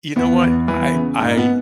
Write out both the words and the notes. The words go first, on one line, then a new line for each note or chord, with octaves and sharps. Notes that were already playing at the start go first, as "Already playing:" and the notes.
You know what? I I i
E2 B3
E2
E3 B3
C#3
G#2 A#3
B3